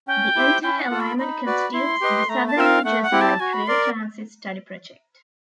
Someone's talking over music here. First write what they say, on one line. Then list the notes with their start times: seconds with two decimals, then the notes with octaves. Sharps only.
The entire alignment constitutes the Southern New Jersey Light Rail Transit Study project.
0.07 C#4 G5
0.35 E4 G4 C5 E5
0.63 C#4 G5
0.81 F#5
0.90 F4 A4
1.00 B5
1.18 D#4 B5
1.46 F#4 B4 D5
1.74 E4 C6
2.01 G4 B4 D#5
2.28 A3 A#5
2.47 A5
2.57 C4 F4 A#4 E5
2.66 F5
2.85 A3 F#5
3.03 F#5
3.12 C4 E4 G4
3.21 A5
3.40 F#4 G#5
3.53 B5
3.67 A#4 D5 C6